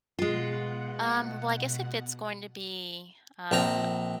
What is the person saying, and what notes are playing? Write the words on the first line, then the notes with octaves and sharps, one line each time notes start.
Um, well, I guess if it's going to be, um,
B2 G#3 F4 F#5
A#1 C4 A#5